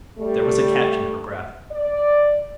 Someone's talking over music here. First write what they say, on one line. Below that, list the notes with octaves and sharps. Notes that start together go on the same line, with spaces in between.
There was a catch in her breath.
G3 A3
D5